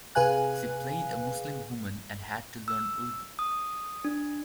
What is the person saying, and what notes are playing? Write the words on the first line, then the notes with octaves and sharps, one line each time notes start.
She played a Muslim woman and had to learn Urdu.
C3 G#4 B4 F5 G#5 F#6
E6
D#6
D4